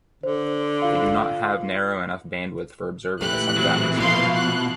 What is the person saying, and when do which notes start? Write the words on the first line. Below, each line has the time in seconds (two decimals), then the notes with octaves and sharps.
They do not have narrow enough bandwidth for observing the sun's atmosphere.
0.23 D3 C5
0.82 F4 F5
3.21 A#2 E3 A3 E4 G4 F#6
3.58 F#3 C4
3.97 G#2 B2 F3 F5 C6
4.34 F#6